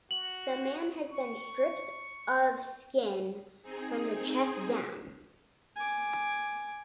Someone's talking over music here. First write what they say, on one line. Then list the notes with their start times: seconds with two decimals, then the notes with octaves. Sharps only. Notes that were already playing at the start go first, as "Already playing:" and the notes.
The man has been stripped of skin from the chest down.
0.11 F#4 F#7
1.10 C#6
3.63 C4 D#4 G#4
5.76 G#5 D6